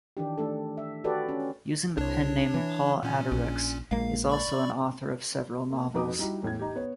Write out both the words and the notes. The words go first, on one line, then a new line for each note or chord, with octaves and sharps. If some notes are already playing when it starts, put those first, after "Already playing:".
Using the pen name Paul Adirex he is also an author of several novels.
D#3 E3 D4 G4
A3 D4 A4
E5
F#4 G4 A4 B4 D5
C#4
C2 D4 C#5
E3
A#2 C#4
A#1
A#1 G#3 A#3 F5
D5 B5 C#6
A#3
F2 D#4 F#4 B4 D6 D#6
G3 D#4 E4 F#4
E2 A2 E3 G#6
D#4 G4
B3 C#5